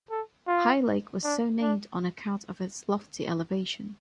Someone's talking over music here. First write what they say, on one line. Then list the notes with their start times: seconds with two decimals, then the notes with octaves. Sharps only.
High Lake was so named on account of its lofty elevation.
0.10 A4
0.47 F4
1.23 D4
1.61 D4